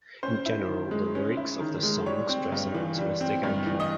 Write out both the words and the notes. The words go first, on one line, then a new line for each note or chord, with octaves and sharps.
In general the lyrics of the song stress an optimistic outlook.
C#4 C5
E4
D#3
G#3
C#4
E4
D#3
G#3
G3 C#5
C4
G2
E3
G3
C4
G2
E3
D#5